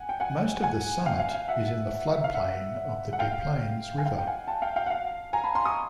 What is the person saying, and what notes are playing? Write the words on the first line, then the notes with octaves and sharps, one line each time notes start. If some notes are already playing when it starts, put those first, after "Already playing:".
Most of "Summit" is in the floodplain of the Des Plaines River.
Already playing: F#5 G#5
G5
F#5 G#5
F#5 G#5
F5 G5
F5
F5
E5 F#5
E5
F5
E5 F#5
F#5
F5 G5
G#5
F5 G5
G5
F#5 G#5
G5 A5
F5 G5
F5 G5
F#5
F5
G#5 A#5
A5 B5
A#5 C6
C#6 D#6